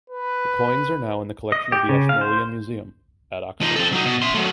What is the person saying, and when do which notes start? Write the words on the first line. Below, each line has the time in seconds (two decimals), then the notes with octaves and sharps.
The coins are now in the collection of the Ashmolean Museum at Oxford.
0.10 B4
1.52 D#5
1.72 G4
1.89 C#3
2.09 F5
2.21 C5
3.61 F3 D#4
3.76 C4 A4
3.93 F#3 D#4
4.05 B2
4.22 E5 C6
4.34 F#3 A3